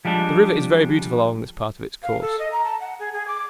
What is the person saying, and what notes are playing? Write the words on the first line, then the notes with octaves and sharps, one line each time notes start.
The river is very beautiful along this part of its course.
F3 G3 G#3 D4
F5
A4
D#5
A#5
A5
F#5
G#4
G#4
D6